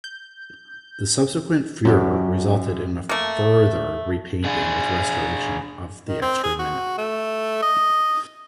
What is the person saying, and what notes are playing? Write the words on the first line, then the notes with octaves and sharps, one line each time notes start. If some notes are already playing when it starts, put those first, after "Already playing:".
The subsequent furore resulted in a further repainting with restoration of the extra minute.
G6
F#2 F#3 D4 F#4 G4
A3 A#3
D4 G#4
D#3
C4
G#4
F#4
A3
D#5